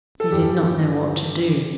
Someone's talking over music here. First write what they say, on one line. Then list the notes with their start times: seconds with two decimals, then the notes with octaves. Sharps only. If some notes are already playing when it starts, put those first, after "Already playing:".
He did not know what to do.
0.20 A4
0.32 G2 E3 G4